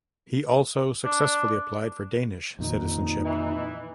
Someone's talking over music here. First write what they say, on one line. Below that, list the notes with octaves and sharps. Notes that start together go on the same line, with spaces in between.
He also successfully applied for Danish citizenship.
D4
F2 A#2 D#3 D#4
E3